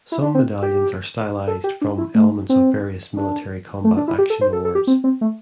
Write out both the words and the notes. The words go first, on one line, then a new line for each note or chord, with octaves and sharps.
Some medallions are stylized from elements of various military combat action awards.
E4
D4
C4
G4
A4
G4
D4
E4
A3
C4
D4
A3
D4
E4
G4
A4
C5
A4
A4
G4
C4
C4
A3